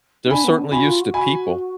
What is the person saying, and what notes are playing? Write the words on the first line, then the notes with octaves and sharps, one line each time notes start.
they're certainly used to people.
D#4
D4 G#5 B5
B3
D4
F#4 G#5 B5
F4
F#4
F#4 G#5 B5